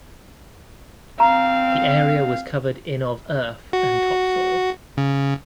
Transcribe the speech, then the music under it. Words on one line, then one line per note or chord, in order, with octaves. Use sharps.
The area was covered in of earth and topsoil.
C4 F5 A#5
F#4
C#3